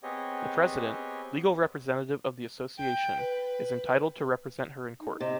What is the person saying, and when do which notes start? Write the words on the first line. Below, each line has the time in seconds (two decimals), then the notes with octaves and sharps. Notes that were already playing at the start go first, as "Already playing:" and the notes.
The president, legal representative of the association, is entitled to represent her in court.
0.03 B3 C4 G4 G#4 C#5 D#5
2.78 G5
3.19 B4
5.00 D#4
5.20 C3 D#5